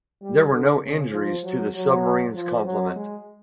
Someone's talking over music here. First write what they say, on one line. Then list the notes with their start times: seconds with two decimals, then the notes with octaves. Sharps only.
There were no injuries to the submarine's complement.
0.22 G3
0.51 D3
0.82 C#3
1.12 F3
1.44 F#3
1.74 F#3
2.34 F3
2.65 F#3
2.96 G#3